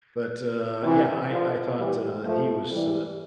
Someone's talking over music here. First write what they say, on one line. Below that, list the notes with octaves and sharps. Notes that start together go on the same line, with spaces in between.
But, uh, yeah, I I thought, uh, he was uh,
C3 E3
D3 F3
E3 G3
F3 A3
E3 G3